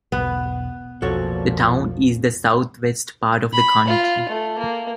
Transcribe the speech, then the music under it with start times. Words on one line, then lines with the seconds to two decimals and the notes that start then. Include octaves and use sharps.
The town is in the southwest part of the county.
0.12 E1 B1 B3
1.02 B1 F2 A#2 F3 F#4 A4 C#5
3.53 B5
3.88 F4
4.29 A3
4.58 A#3